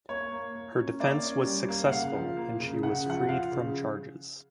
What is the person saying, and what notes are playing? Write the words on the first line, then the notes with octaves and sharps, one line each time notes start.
Her defense was successful and she was freed from charges.
A#3 C#5
A#3
A#3
C#4
A#3 D5
C#4
G3
A#3
F#5
C#3 F5
F3
A#3
C#3
C#3 F#5
F3 F#5
F3 F5
C#3